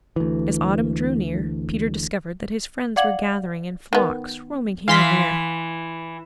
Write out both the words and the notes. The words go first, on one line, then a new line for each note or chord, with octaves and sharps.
As autumn drew near Peter discovered that his friends were gathering in flocks, roaming here and there.
D2 E3
D5 F5 F#5 D6 G#6 F#7
D#3 B3
E3 F5 C6 B6